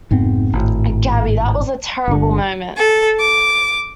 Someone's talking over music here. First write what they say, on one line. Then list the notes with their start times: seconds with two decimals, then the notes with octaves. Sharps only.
Gabby, that was a terrible moment.
0.11 F1 G#2 B3 C4
0.53 G#1 A2
2.08 G1 D3
2.75 A4
3.19 D6